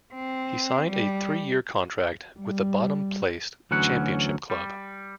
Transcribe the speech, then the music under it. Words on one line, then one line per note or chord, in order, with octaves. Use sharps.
He signed a three-year contract with the bottom-placed Championship club.
C4
G3
G3
D2 E3 F#3 C#4 F#5
G3